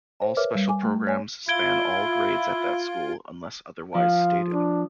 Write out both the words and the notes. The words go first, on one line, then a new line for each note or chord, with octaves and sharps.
All special programs span all grades at that school unless otherwise stated.
C5
A#4 B4 C#5 E5 D6 F6
G3
G#5 D6
A3
C#5 G#5
E4 F4 G#6 D7 G7
F3 F5
D4